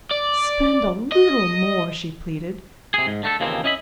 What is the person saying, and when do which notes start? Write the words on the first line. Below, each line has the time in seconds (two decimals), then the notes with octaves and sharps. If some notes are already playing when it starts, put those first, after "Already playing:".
"Spend a little more," she pleaded.
0.11 D5
1.12 D#5
2.94 C3 G#4
3.06 G#2
3.23 D3 A3 A4
3.40 D#2 C#3 E3 F3 A#3 C4
3.64 C#4 E4 D#5 E5 B5